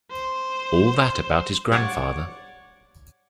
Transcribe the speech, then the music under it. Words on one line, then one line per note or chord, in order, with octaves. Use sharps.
All that about his grandfather?
C5
C#5 D5 F#5